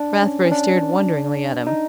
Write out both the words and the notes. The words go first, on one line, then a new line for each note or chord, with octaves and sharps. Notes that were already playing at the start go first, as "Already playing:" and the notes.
Rathbury stared wonderingly at him.
Already playing: D4
C#4
C#4
D4
D#4